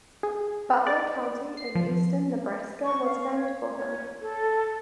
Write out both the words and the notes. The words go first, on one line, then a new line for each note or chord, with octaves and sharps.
Butler County in eastern Nebraska was named for him.
G#4
D5
C7
F3
C#6
F5
C#5
C#5
A4